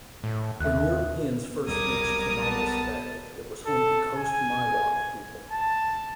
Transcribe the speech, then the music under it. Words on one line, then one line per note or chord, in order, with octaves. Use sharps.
When Europeans first reached Tomales Bay, it was home to Coast Miwok people.
A2
D#2 E5 F#6
B1 E2 G3 A#4 D6 D#6 G#6
B3 A5
A4
G#5
A5